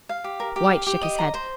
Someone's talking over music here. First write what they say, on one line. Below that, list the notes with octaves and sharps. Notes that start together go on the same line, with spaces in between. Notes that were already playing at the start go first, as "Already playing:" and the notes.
White shook his head.
F5
G4
A#4
G4
F5
G4
D#5
A#5
C5